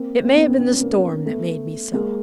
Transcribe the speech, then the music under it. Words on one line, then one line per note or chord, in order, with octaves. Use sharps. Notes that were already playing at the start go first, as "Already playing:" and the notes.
It may have been the storm that made me so.
Already playing: A#3 C4
A#3 C4
B3 C#4
C4 D4
C4 D4
B3 C#4
A#3 C4
A3 B3
G#3 A#3